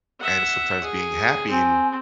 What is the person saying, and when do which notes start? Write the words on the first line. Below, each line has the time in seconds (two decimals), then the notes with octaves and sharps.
and sometimes being happy and
0.20 E5 F#5
0.84 G#4
1.50 C4 G#5